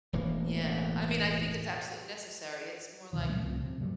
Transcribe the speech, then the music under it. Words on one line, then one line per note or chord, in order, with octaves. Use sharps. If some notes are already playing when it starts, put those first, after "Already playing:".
Yeah, I mean, I think it's absolutely necessary it's more like,
E1 A2 E3 A#3
C#2 B2 D#3 E3
A#2 F#3 A3 C#4
C2 C3 F3
C3
C3 F#3 G3 A3